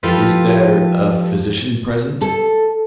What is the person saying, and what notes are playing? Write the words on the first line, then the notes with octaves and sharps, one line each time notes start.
"Is there a physician present?"
F3 F4 G4 A4 B4
A4